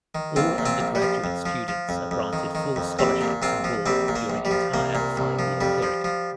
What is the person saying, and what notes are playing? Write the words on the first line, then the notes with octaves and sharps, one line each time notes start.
All undergraduate students are granted full scholarships and board during entire five-year period.
D#3
A#1 C4 F4
A#2
C4 F4
A#1
G3
F3
F2
F3
F3
F2
F2
D#3
D#3
F2
A#1 G3 C4
A#2
A#1 C4 F4
F3
A#1 G3 C4
A#2
A#3
A#1
G3
F3
C2 A#3
A#2
C2
F3
F2 G3
F3
F3